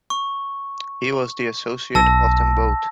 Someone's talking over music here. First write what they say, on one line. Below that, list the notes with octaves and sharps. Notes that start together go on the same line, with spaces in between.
He was the associate of them both.
C#6
B1 A5 E6 A#6